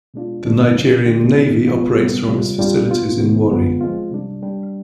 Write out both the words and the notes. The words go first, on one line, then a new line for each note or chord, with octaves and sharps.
The Nigerian Navy operates from its facilities in Warri.
B2 G#3 D4 F4
D3 F3 B3 D4
C3 F3 C4 F4
D3 G#3 D4 G4
D#3 B3 D#4
F3 G#3 B3 F4
C3 G3 B3
C3 G3 C4 F4
G3 D4 F4
B2 B3 F4
C3 D#3 B3
D3 F3 G#3 B3 F4
F3 G#3 C4 F4
C3 G3 D4
G3 D4 G4